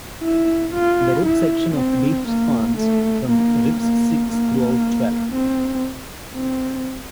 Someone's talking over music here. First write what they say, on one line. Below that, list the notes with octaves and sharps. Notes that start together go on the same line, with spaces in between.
The rib section of beef spans from ribs six through twelve.
E4
F4
E4
C4
A#3
A3
A#3
A#3
A#3
C4
C4